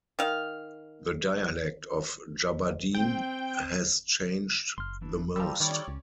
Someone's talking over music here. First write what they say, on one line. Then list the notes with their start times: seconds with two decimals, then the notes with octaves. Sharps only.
The dialect of Jubb'adin has changed the most.
0.19 D#3 F5
2.95 C4 G5
4.78 F#1 C6 F6
5.02 E3 D4 E4
5.36 F3 G3 A#5 E6
5.60 D#3 G3 D#4 F#4 G#4 C#5 D5
5.88 C#2 C#4